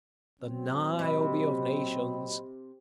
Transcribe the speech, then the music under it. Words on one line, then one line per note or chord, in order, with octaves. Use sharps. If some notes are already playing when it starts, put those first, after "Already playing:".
The Niobe of nations!
A#2 F#3 C4
C3 D#5 B5